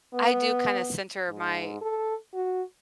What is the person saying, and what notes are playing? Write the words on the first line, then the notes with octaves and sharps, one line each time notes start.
I do kinda center my
B3
G#2
A4
F#4